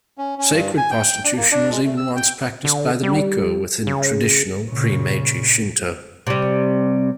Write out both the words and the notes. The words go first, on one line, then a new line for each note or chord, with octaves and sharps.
Sacred prostitution was even once practised by the Miko within traditional, pre-Meiji Shinto.
C#4
C#4
G2
G#5
G5
D4
A#3
D4
G#3
A3
E6
G5
D3
G3
C#3
A#2 C#3
C3 G3